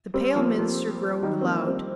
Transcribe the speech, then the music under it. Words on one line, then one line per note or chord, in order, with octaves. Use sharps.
The pale minister groaned aloud.
G3 C4
F3 A#3
F3 A#3
D#3 G3
C4
F3 A#3
G3 C4